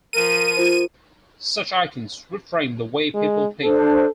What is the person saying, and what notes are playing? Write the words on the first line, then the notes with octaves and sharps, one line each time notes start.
Such icons reframe the way people think.
F3 A#4 D#7
F4 C5
G#3
D4 A4 C5